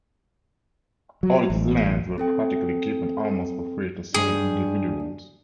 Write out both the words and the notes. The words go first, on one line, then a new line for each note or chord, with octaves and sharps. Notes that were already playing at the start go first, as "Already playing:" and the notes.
All these lands were practically given almost for free to certain individuals.
F#3
A1
C4 A4 G5
G2 D#3 D4 G#4